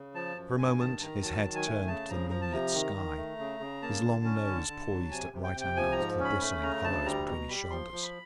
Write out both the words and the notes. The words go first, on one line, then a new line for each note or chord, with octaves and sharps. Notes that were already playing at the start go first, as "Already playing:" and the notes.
For a moment his head turned to the moonlit sky, his long nose poised at right angles to the bristling hollows between his shoulders.
Already playing: C#3
F3 A5
F#2
G2 G#5
D#3 A5
D#3 A#5
F#3 A5
D#3
G#5
A3
C#3 A5
F3 A#5
F3 A#5
A5
C3 A#5
D#3
D#3
A3
C#3
C#3
A#3 A5
D3
C#4
D3
D3
F#3
C3 G#5
C3
G5
C3
G5
F3 G#5
A#5
G#2
C#4
B5
A3 B5
C#3 A#5
D2 A5
G3 A#5
B2 A#5
G3 B5
F3 C6
F3
B5